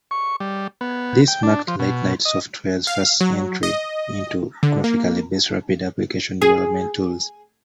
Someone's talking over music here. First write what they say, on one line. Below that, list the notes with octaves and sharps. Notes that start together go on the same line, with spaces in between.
This marked Late Night Software's first entry into graphically-based rapid application development tools.
C#6
G3
B3
G5
D4
F3
B2
D#5
F5
F#3
D#5
D3
A#3
G#4